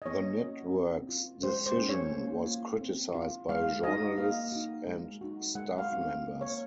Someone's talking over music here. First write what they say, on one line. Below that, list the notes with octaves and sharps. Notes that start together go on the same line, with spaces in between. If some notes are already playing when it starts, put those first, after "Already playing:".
The network's decision was criticized by journalists and staff members.
D#5
A#3 C#5
C#4 F#4
C4
F4
G#3 C5
C5
C#4 F4
C#5
A#3
F4
C4
F4
G#3 F5
D#4 F#4 D#5
A#3 F5
D#4 F#4
G#3
D#4 F#4
G#3 F#5
F5
C4 D#4 F#4
F5
A#3
C#5